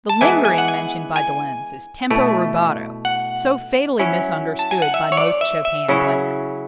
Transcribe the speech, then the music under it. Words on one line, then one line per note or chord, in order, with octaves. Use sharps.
The "lingering" mentioned by de Lenz is tempo rubato, so fatally misunderstood by most Chopin players.
A5
E3 G#3 B3 E4 G#5
G#5
F#5
G#5
G#5
B2 A3 E4
F#5
F#3 C#4 E4
A5
G#5
F#5
E5
C#5
D5
E5
E5
C#3 F#3 C#4 E4